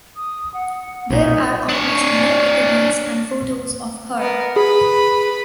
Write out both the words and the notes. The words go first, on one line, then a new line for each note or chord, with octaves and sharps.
There are almost no interviews and photos of her.
D#6
F#5
B1 A#2 D#4
D4 C#5
B3 A#4
G#4 B4 B5